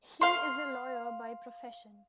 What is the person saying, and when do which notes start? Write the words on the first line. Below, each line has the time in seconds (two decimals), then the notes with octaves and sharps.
He is a lawyer by profession.
0.21 F5 C6